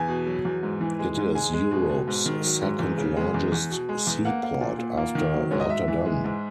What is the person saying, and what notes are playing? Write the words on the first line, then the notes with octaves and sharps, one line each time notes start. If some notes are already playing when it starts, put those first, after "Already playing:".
It is Europe's second-largest seaport, after Rotterdam.
Already playing: E2 G#5
B2
F#3
E2
G#2
E3
G#3
G#2
G#3 G#5
G#3
B2
B2
G#2
D#3
F#3
G#2
E2
C#3
G#3
E2
E2
B2
G#3
E2
A#3 F#5
A#3
A#2
A#2
A#3
D#3
F#3
G#2 C#5
D#5
G#2 E5
E3
G#3
G#2